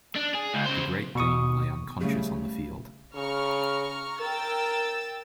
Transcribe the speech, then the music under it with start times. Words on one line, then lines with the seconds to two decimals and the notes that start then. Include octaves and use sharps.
The great Dean lay unconscious on the field.
0.15 D4
0.34 G#4
0.54 C#2
0.65 C#3 C5
1.15 B2 C#6 D#6
2.01 C#3 G3 A3
3.15 C#3 A#5 C#6 F6
4.21 A#4 G5 E6 A6